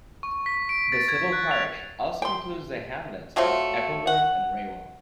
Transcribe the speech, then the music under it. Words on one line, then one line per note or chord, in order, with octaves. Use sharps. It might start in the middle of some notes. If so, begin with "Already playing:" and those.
The civil parish also includes the hamlets of Eppleworth and Raywell.
C#6
B6
D7
A6
G#6
F#6
F7
G5 C6
F#3 A3 C4 F4
F#5